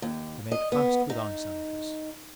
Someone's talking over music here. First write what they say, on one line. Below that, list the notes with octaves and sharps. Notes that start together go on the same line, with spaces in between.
We made fast with ice anchors.
D#2
D#5
B3
D#4